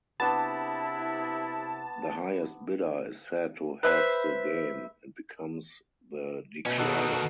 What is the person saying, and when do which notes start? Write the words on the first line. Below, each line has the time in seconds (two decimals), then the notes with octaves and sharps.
The highest bidder is said to "have the game" and becomes the declarer.
0.20 C3 B3 D4 E4 A5
3.83 B4 C5 E5 B5
6.65 B2 A3 C#4
6.78 B2 D#3 D#4 F#4 A4